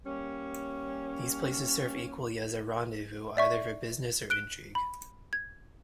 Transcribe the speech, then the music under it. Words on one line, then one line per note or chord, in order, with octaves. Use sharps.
These places serve equally as a rendezvous either for business or intrigue.
G3 A#3 C#4
D5 E5 C#6
F#6 D7 G7
B5
G#6